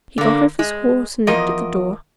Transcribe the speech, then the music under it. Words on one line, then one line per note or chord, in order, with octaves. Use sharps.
He got off his horse and knocked at the door.
D3 A#3
G#3
E2 F3 A#4 D#5